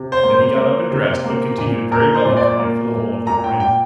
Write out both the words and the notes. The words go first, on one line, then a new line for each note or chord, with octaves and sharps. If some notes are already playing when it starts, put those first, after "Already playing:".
Then he got up and dressed but continued very melancholy for the whole of the morning.
Already playing: C3
C5
A#3
C5
A#3
C3
A#3
A#2
A#2 A#4
C5
A#2
D5
A#3
A#2
A#2 A#5
G5
A#2 G5